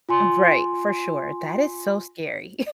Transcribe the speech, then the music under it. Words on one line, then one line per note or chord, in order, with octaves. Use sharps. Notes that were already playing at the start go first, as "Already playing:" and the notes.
Um, v right, for sure, that is so scary.
F4 G#5 C6